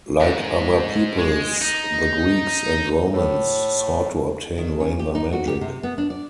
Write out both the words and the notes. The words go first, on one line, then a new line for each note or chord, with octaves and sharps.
Like other peoples, the Greeks and Romans sought to obtain rain by magic.
G#2
G#3
D#4
A2
D#3
C#4
G4
D#4
F#4
G4
C3
B3
D4
D5